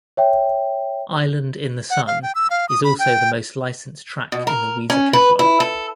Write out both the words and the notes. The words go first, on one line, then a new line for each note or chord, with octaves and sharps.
"Island in the Sun" is also the most-licensed track in the Weezer catalog.
C#5 E5 G5
F#5
F5
G5
E6
F5
D#6
B5
G5
B2
A#4
C#4
B4
E4
A4